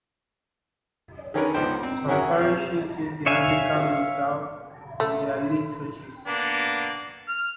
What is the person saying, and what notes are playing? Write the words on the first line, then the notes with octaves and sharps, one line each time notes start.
Some parishes use the Anglican Missal in their liturgies.
D3 D#3 C#4 G#4 A#4 B4
C#2 D3 B3 D#4 C5 G5
C4
C#4 F#4 G#4 A#4 E5 F#5
C4 C#5
C#5 E5 F5 G#5
A3
A#3 B3 D4
F6